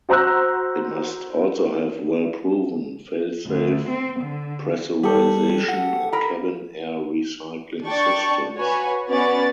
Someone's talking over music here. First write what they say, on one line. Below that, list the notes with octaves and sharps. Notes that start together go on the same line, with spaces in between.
It must also have well-proven, fail-safe pressurization and cabin air re-cycling systems.
F#4 C5 A#5 E6 F#6
D2
C4
D3
G3 G4 A4
F#5
A#4 B5
D4 D5 G5 C#6 A6
F#4 B4 C#5 G#5
B3 C#4 F#4 C#5 D5 A6